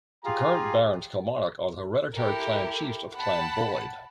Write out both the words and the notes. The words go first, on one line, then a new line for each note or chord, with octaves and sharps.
The current Barons Kilmarnock are the hereditary Clan Chiefs of Clan Boyd.
F4 G4 G#4 F5 G#5 A#5
E4 G4 A4 A#4
F#5 G5 A5 B5